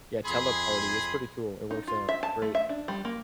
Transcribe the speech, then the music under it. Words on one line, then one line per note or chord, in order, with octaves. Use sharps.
Yeah, Teleparty, it's pretty cool. It works out great
F2 G#4 B5 C6
D#4
F4
E5
A5
A3
E5
D4
G3
A#3